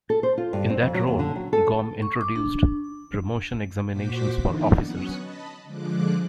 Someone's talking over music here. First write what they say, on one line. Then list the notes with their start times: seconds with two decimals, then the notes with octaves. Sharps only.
In that role Gomm introduced promotion examinations for officers.
0.10 A4
0.23 C5
0.38 F4
0.53 G2
0.70 C4
0.82 F2
0.94 F#3
1.07 D#2
1.19 D3
1.36 F#3
1.53 A4
2.02 C#6
2.21 D6
2.36 D4
3.89 A#2 F#4 C5 D6 B6
4.38 D3 E3 A#3 B3 D4 D#4
4.83 F#3 B3 C#4 C#6 D#6 F#6
5.17 D#5 A5 B5
5.64 D3 F3 G#3 D6 F#6